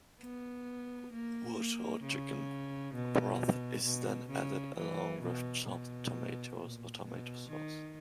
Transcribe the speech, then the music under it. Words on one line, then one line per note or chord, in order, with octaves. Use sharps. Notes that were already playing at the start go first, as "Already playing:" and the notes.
Water or chicken broth is then added along with chopped tomatoes or tomato sauce.
B3
A#3
A#3
C#3
B2
B2
C#3
E3
B2
B2
A#2
B2
D#3